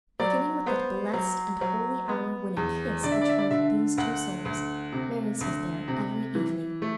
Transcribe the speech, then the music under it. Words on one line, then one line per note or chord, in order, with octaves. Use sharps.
Beginning with that blessed and holy hour when a kiss betrothed these two souls, Marius was there every evening.
F#3 D5
B3 C5
F#3
F#3
B3
E2
D3 D5
E5
D5
E5
D5
D3 E5
D2 F#5
D2
C3
D2
C3
E3
A3